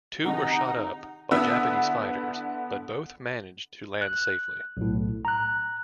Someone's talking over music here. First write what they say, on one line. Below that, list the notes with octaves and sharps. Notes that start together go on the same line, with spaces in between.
Two were shot up by Japanese fighters, but both managed to land safely.
G#1 C3 D#3 D#4 F#5 A#5
D3 B3 E4 D#6 E6
F#6
B1 A2
A#5 F#6